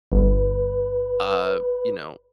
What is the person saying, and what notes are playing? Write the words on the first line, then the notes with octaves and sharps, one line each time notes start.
uh, you know,
G1 B4